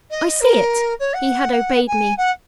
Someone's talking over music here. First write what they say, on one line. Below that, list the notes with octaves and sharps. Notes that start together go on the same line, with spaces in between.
"I see it." He had obeyed me.
D#5
A#4
C#5
F#5
G#5
F#5